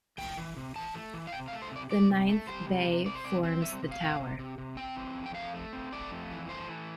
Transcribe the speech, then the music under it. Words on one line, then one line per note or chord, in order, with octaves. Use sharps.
The ninth bay forms the tower.
E3 G5
E3
C3
E3 A5
A3
E3
F5
C3 G5
F5
A3
C5
C3 D5
C3 D5
C3
A3
G3 C5
C3
C3
C3 D5
C5
C4 D5
C4
G3 E5
C3
F5
C3
C3
C3
C3
C4 G5
E3
F2
G5
A3 F5
A3
C4
A3 D5
F2
E3
A3 C5
E3